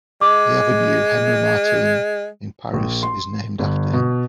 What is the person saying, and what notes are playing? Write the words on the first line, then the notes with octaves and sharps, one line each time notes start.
The Avenue Henri-Martin in Paris is named after him.
G#3 D6
A#1
C6
G1
B2